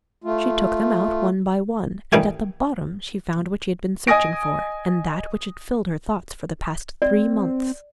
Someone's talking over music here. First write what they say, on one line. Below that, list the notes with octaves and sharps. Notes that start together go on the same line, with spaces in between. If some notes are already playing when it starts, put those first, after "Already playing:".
She took them out one by one and at the bottom she found what she had been searching for and that which had filled her thoughts for the past three months.
A3 F4
A1 D#3 G3 A3 G#5
D#5 G#5 D#6 A#6 D7
C4 D5